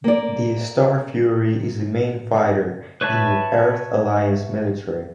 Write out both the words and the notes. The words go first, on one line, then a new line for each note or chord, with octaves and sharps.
The Starfury is the main fighter in the Earth-Alliance military.
A#3 D5
B4 C#5 E5 A5 B5